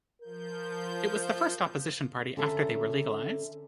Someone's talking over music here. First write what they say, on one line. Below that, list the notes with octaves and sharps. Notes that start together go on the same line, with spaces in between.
It was the first opposition party after they were legalized.
F3 A#4 G6
D3 C#4 A4 E5 A#5